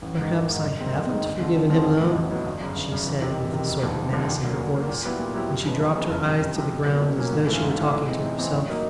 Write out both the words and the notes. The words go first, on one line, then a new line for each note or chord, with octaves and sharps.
"Perhaps I haven't forgiven him, though," she said, with a sort of menace in her voice, and she dropped her eyes to the ground as though she were talking to herself.
A1
G#2 D#3
A1
G#2 D#3
F#2
D#3 G#3 C4 D#4
F#2
D#3 G#3 C4 D#4
D2
D3 F3 G#3 C4
D2
D3 F3 G#3 C4
A1
A2 F#3 B3 D#4
A1
A2 F#3 B3 D#4
G1
F#2 C#3
G1
F#2 C#3
E2
C3 D#3
E2
C3 D#3
E1
D#2 D3 F3
E1
D#2 D3 F3
D2
D3 F#3 A#3
D2
D3 F#3 A#3
A#2
F#3 B3 E4 G4
A#2
F#3 B3 E4 G4
F#2
C#3 F3 G#3 B3
F#2
C#3 F3 G#3 B3
F#1
F2 C3
F#1
F2 C3
B2
F#3 A#3 C#4
B2
F#3 A#3 C#4
G#2
E3 A3 C#4 F4
G#2
E3 A3 C#4 F4
A2
E3 G#3 C4 D#4
A2
E3 G#3 C4 D#4
A2
F#3 A#3 D#4